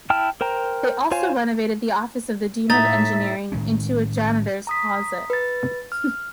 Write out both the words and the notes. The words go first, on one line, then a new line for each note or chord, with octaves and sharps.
They also renovated the office of the dean of engineering into a janitor's closet.
E4 G5 A5 F6
A#4 C5 G5 A#5
F4 C5 C#5 F5 G#5
A2 D#4 E5 A6
A2 D#3 G#3 C#4
A#5 D#6 B6
B4 A6
F6